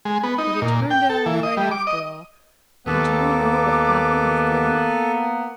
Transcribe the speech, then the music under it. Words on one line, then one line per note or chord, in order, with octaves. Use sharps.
"But it turned out all right after all, for do you know what happened to Freddy?"
G#3
B3
D#4
A#2
G5
A4
E3
D#5
G3
D6
D#5
D#2 A#3 B3 A4 D6